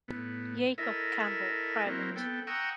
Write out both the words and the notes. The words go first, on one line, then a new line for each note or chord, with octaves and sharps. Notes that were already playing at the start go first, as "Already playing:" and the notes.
Jacob Campbell, Pvt.
A2 B3
E4 A4 A#4 D#5 E5
F#3 A#3 C4 E4
B3 A4 G5
F#5 G5 A#5 C#6 D#6 E6